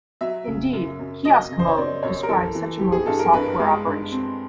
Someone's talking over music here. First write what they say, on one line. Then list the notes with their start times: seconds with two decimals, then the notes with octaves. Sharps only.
Indeed, "kiosk mode" describes such a mode of software operation.
0.21 F#3 E5
0.47 C#3
0.73 F#2
0.99 F#2
1.25 F#3 D#5
1.51 C#3
1.59 C5
1.68 C#5
1.77 F#2 D5
2.03 F#2 C#5
2.23 A#4
2.29 E3 A4
2.55 E3
2.79 E3 G4
2.92 G#4
3.06 G2 A4
3.19 A#4
3.33 G2 B4
3.59 G#3
3.85 G2
4.11 C4